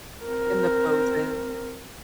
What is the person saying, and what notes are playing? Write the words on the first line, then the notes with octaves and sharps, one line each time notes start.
And the poses.
C4 A#4